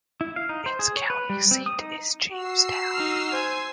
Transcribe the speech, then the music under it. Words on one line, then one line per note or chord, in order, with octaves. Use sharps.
Its county seat is Jamestown.
E4
F5
D#4
C5
G#4
C#5
B4
G3
C4
D#6
D#4
F#4 E6 C7
D#4 F6
C5 G#5